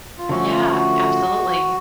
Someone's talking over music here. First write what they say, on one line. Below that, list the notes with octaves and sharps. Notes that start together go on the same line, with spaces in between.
Yeah, absolutely.
F4
D3 F3 A3 C#4 F#4
F4
F#4